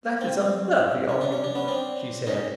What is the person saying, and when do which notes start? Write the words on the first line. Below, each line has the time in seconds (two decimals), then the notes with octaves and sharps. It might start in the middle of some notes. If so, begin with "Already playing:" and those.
"That is unworthy of you," she said.
0.21 C4
1.09 C#4
1.21 D4
1.32 C#4
1.44 D4
1.55 B3 C#4
1.68 C4 D4
2.27 C#4 D#4